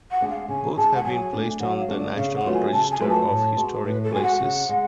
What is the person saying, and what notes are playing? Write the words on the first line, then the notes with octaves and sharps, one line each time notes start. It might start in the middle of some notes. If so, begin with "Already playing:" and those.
Both have been placed on the National Register of Historic Places.
F#5
G#3 D4 G#4
F5
C#3 G#5
G#3 D4 G#4 A5
F#5
F#3 G#5
A3 D4
F#3 F#5
F5
A3 D4
D5
C#3 F5
F#5
F#3 A3 F4 B4
G#5
C#3 A5
G#5
F#3 A3 F4 B4
A5
A2
G#3 B3 F#4
A2 B4
A4
G#3 B3 F#4 G#5
F#5
C#3
G#3